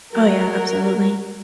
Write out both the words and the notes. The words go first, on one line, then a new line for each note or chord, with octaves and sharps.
Oh, yeah, absolutely.
F#3 A#4